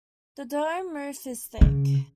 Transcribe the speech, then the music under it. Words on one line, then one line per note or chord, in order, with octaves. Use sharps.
The dome roof is thick.
C#3